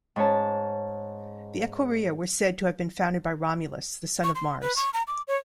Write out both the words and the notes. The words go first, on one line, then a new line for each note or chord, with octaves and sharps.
The Equirria were said to have been founded by Romulus, the son of Mars.
G#2 C#4 C#5 A5
C#6
C6
B4
C#6
A#5
D6
C#5